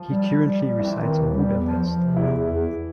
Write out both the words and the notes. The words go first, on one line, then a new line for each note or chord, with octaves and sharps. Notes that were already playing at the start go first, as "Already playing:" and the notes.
He currently resides in Budapest.
Already playing: F3
G3
G3
G3
G3
E3 C4 E4
D#3
D#2
G3
E2
F3
F3
C3
E2 E3 E4
E2
E2